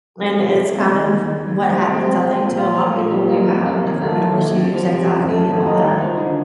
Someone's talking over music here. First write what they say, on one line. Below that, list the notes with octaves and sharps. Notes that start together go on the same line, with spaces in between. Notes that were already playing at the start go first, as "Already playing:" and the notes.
and it's kind of what happens, I think, to a lotta people who have different mental issues anxiety, and all that,
F2
C3
F2
F2
D#2
D#2
D#2
D#2
C4
C3
C4
C4
A#2
F4
F3
A#2
G3
A#3
C3
A#3
D#2
A3
D#2
D#2
F2
F3
C3
F2
A3
D#2
D#4
D#3
F3
D3